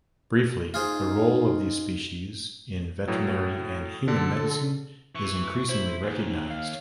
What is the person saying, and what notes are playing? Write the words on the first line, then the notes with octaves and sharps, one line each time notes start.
Briefly, the role of these species in veterinary and human medicine is increasingly recognised.
D#4 F4 G#4 C5
A2 F#3
D3 A4
E3 C#6
E4 C5
D#2 G#2
F5